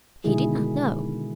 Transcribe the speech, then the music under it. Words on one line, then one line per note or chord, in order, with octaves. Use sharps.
He did not know.
B2 D3 D#3 G#3 E4 G#4